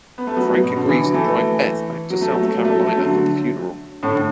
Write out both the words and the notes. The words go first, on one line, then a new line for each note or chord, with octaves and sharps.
Frank agrees to drive Beth back to South Carolina for the funeral.
B3
A3
F#3 B3
B2
D3
E3
F#3
E3 A3
F#3
A3
F#3
A3
F#3
A3
F#3
A3
D3 F#3
A2 D3